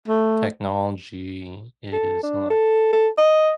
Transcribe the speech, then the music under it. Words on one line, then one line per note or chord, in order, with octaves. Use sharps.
technology is, like
A3
A4
D4
A4
A4
D#5